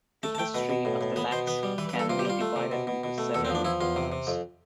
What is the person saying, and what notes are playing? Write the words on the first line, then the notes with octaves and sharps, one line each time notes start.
The history of the Laks can be divided into several parts.
A3 A5
A5
A3 G5
B2 B4
B2
A2
A2
B3 B4
B2 C5
B3 B4
G3
E3 B4
B4
G2
A4
C3 F4
G4
G3 F4
A3
C3
B2
B2
B2
A3
E2 A4
C4
F3
D4
F3 E4
E2 F4
C3
C3
F2